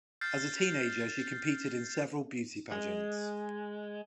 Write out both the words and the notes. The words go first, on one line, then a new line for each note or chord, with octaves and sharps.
As a teenager she competed in several beauty pageants.
F6 G6 A6 C7
G#3